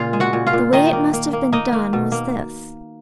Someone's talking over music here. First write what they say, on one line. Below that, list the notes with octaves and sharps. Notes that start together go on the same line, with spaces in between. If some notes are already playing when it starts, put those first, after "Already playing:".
The way it must have been done was this.
Already playing: A#2 C#3 F4 F5
G#3
F#4 F#5
A#2
F4 F5
A#2
D#3 D#4 D#5
A#3
A#3
A#3
A#3 D#4 D#5
A#3
B2
A#3